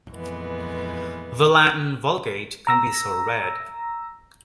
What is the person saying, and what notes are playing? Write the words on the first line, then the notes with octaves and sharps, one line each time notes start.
The Latin Vulgate can be so read.
F2 A#2 E3 G#3 B3
A#5 E6 A#6